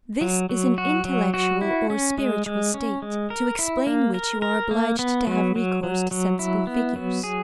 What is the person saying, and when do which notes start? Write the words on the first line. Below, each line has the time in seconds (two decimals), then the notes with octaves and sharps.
This is an intellectual or spiritual state, to explain which you are obliged to have recourse to sensible figures.
0.21 F#3
0.49 F#3
0.78 F#4
1.05 F#3
1.34 F#4
1.61 E4
1.90 C#4
2.18 G#3
2.46 G#3
2.74 C#4
3.02 G#3
3.30 A#4
3.59 E4
3.87 A#3
4.14 A#4
4.42 A#4
4.71 A#3
4.99 B3
5.27 F#3
5.55 F#3
5.83 F#3
6.11 F#3
6.39 E4
6.67 B3
6.96 F#3
7.24 G#4